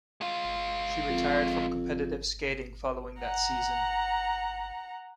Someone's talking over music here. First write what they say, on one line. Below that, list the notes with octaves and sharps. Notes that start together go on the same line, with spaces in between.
She retired from competitive skating following that season.
G#3 F4
F2
F#5 A#5